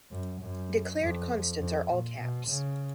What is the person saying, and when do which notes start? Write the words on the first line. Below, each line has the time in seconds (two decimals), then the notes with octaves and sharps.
Declared constants are all caps.
0.11 F#2
0.41 F#2
1.00 F2
1.59 F2
1.89 A#2
2.18 B2
2.47 C#3